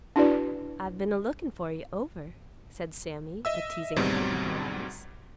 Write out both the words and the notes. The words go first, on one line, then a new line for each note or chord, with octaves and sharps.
"I've been a lookin' for you over," said Sammy, a teasing light in her eyes.
D4 E4 F#4 B4 D5
D#5 E5 E6
D2 G#2 B2 F#3 G3 C4